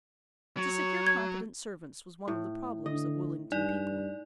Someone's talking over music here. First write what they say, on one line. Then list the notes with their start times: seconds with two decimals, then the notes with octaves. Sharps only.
To secure competent servants was one of the problems of Willington people.
0.57 F#3 C#5
1.07 G#6
2.28 A2
2.86 D3 D#5
3.52 G2 D#4 D5